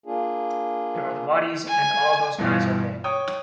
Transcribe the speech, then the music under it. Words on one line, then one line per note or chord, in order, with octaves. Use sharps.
There are the bodies and all those guys are dead.
A#3 D4 F4 G#4
G#5
G2 B2 E3 G3 E4 F4
C#5 G5 D#6